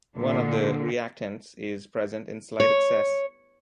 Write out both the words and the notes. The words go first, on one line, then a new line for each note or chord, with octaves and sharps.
One of the reactants is present in slight excess.
A#2 D3
C#5